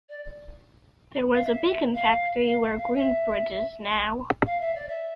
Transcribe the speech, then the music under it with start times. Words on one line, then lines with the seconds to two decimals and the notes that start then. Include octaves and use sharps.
There was a bacon factory where Greenbridge is now.
0.09 D5
1.34 F5
1.44 E5
1.95 F5
2.45 F5
2.62 E5
2.78 F5
2.95 E5
4.46 F5
4.60 E5
4.75 D5
4.88 E5